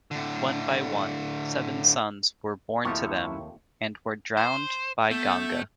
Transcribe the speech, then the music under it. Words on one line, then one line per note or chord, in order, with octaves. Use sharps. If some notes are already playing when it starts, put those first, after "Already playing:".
One by one, seven sons were born to them and were drowned by Ganga.
A2 D3
D#2 C3 F3 A3 E4 C#5 F#5 C#6
C5
A3 B3 G6